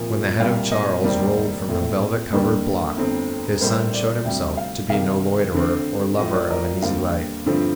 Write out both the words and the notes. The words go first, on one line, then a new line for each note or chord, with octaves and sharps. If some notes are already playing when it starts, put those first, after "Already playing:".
When the head of Charles rolled from the velvet-covered block his son showed himself to be no loiterer or lover of an easy life.
Already playing: C2 A#2 F3 A#3
C2 A#2 G3 F5
D#5
F1 D#2 D#3 G3 C4 D5
A#1 A2 A3 C4
D#2 D3 G3 A#3
G1 F2 D3 A3 C4
A#1 A2 G3 A#3 C5
D5
D2 C3 G3 G5
F5
C2 C3 D#3 F5
F2 D3 A3 C4
A1 A2 F3 D#5
D5
A#4
D#2 D3 G3 C4 F5
G2 D3 F3 A3 C4